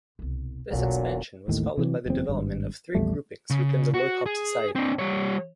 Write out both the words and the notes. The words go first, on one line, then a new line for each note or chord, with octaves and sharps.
This expansion was followed by the development of three groupings within the Loikop society.
E1 C2
E1 B1 A#2 D3 F#3
A1 D#2 A2 D#3
C3 E3 F#3
F#1 E2 C4
G#1 G2
A#1 E2 G3 A3
C#3
F#4
G#4
C4 D4
G3 C#5